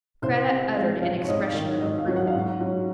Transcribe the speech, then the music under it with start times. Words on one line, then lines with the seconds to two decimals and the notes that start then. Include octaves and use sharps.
Kreta uttered an expression of approval.
0.22 C2 C5
0.49 C3
0.75 G#3 F5
1.02 F3 F5
1.23 C#5
1.29 G#2 D#5
1.47 F5
1.54 D#3
1.64 C#5
1.81 G#2 D#5
1.98 F5
2.08 F#3
2.16 F#5
2.27 F5
2.34 G#2 F#5
2.60 F#3